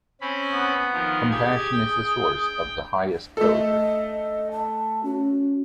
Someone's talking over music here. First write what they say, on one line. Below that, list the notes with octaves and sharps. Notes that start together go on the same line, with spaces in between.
'Compassion is the source of the highest poetry.
C4 C#4 B5
B3
D#3 F3
G4 G#4 G#6
G5
A3 A4 D#5
A5
C#4 F#4